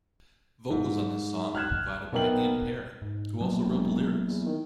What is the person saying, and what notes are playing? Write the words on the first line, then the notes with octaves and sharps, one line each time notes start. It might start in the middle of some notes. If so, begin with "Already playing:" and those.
Vocals on this song were provided by Ian Parry, who also wrote the lyrics.
G#2
F6 F#6 G#6 E7
B1 B3 A#4 G5 F#7
G#2
F#3 A#3 B3
E1
E2
D#3